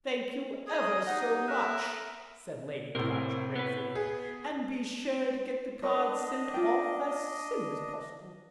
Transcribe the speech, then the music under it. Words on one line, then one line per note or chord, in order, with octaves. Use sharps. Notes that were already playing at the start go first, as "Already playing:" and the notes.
"Thank you ever so much," said Lady Prowche gratefully, "and be sure to get the cards sent off as soon as possible."
G#4 D#5
D#4 G4 F#5
A4 A#4 E5 F#6
A2 C3 A#4 C5
B3 B4
G#4
D4 A#4 B4 C#5 D#5
F4 D5 G5